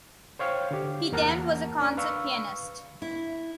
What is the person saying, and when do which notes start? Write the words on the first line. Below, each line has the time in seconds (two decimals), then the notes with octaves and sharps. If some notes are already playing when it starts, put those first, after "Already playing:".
He then was a concert pianist.
0.39 C5 C#5 F5 G5
0.71 D3 G4
1.12 E2 A#3 A#4 F#5 A5 A#5
1.81 D4
1.97 B4 F5 C#6 E6
3.02 E4